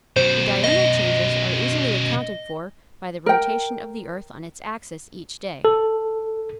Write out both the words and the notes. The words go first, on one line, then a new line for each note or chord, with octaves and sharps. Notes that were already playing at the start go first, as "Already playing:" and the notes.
The diurnal changes are easily accounted for by the rotation of the earth on its axis each day.
F#2 B2 C5
D#5
A#4 G5
A4